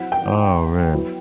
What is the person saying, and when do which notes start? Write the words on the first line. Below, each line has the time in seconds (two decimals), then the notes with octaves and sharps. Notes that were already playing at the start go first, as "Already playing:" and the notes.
Oh, man.
Already playing: F#3 C4 E4 F#5
0.12 G5
0.93 F#3 B3 E4